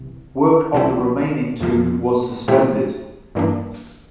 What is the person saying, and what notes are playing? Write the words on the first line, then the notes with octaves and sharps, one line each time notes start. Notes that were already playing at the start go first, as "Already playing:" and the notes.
Work on the remaining two was suspended.
Already playing: C2 C3 E3
C2 C3 F3 C4 E4
F2 C3 F3 A#3
A#2 F3 A3 E4 G4
G2 E3 A#3 D4